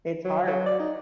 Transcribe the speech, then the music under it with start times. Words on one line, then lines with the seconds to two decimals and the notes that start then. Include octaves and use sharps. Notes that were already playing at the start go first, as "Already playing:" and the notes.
It's hard.
0.24 F#3
0.47 F#3
0.66 D5
0.80 D#4